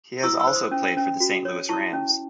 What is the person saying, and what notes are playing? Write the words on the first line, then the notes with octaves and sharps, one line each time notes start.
He has also played for the Saint Louis Rams.
E4 C#6 E6
C#6 E6
C5
C6 D#6
C#4
C#4
F#4
C#5
E4 A5 C#6
C#4